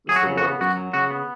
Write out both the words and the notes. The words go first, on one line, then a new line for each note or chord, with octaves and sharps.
It's the worst.
F#3 G#4
F#4
C#3
F#4
B3
F#2 F#4
F#3
C#3 F#4
B3